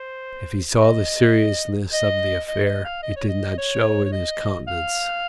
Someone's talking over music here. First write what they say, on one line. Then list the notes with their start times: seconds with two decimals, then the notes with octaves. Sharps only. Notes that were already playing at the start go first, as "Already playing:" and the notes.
If he saw the seriousness of the affair, it did not show in his countenance.
Already playing: C5
0.82 D#5
1.93 D#5
2.48 D#5
2.66 D#5
2.85 F5
3.03 D#5
3.16 C#5
3.29 D#5
3.58 C#5
4.05 C#5
4.12 D#5
4.68 F5